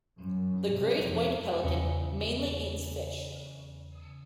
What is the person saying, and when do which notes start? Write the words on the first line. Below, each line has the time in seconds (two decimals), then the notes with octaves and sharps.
The great white pelican mainly eats fish.
0.19 F#2
0.73 C3
1.05 F2
1.63 E2 C#3